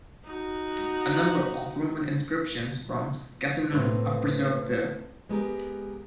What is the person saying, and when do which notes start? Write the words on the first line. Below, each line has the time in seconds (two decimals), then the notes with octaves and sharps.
A number of Roman inscriptions from Casinum are preserved there.
0.25 D#4 F#4
3.72 A2 C4 B4
5.29 G#3 B3 G4 A#4